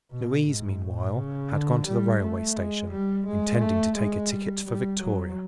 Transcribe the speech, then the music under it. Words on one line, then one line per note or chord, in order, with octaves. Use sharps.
Louise, meanwhile, had gone to the railway station, intending to take a ticket for Victoria.
B2
G#2
A2
C#3
D3
G3
A3
G#3
G3
G#3
A3
G#3
G3
G3
F#3